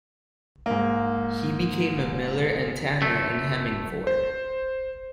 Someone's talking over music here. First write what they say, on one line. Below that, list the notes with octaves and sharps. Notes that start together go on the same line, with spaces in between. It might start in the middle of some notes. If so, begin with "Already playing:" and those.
He became a miller and tanner in Hemmingford.
G#2 A#3
F#2 A3
C5